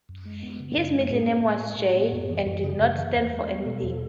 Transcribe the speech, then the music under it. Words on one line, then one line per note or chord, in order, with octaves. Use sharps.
His middle name was "J" and did not stand for anything.
F#2
G#3
B3
C#3
F#2
G#3
A2 G#4
B3
A2
G#3
A2
B3
F#2 F#4
E3 G#4
F#2 F#4
C#3 G#4
F#2
E3
E2
G#3
B3
B2 A4
E2